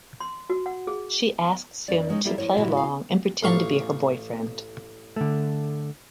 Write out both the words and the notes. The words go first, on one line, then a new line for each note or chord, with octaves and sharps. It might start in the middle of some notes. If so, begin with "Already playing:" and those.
She asks him to play along and pretend to be her boyfriend.
C6
F#4
F#5
G#4
F2 E3 A#3 C#4 D5
F#3 G#3 C#4 D#4
D2 G3 A#3 E4 G4 A4
F3 A#3 C4 C5 C#5
A#2 C#3 E3 G#3 E4 F#4
F#4 D#5 F5
A1 F5 C#6
D3 A3